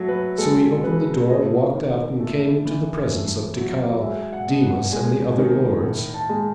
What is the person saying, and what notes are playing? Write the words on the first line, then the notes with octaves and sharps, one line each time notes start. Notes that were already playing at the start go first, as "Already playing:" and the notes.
So we opened the door, walked out, and came into the presence of Tikal, Dimas, and the other lords.
Already playing: F#3 A3 A4
B4
G#3 A4
C#3 B4
A3 D#5
D#3
A3
E3
A3
F#3
G#3 E5
F#5
B2
F#5
G#3 G#5
D#3
A2
A5
G#3